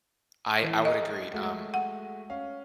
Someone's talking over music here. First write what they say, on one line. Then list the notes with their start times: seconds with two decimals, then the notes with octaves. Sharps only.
I I would agree. Um,
0.63 E3
0.85 G#4 D#5 A#5 D#6
1.32 G#3 A3 F#4
1.74 F#5
2.30 C#4 F5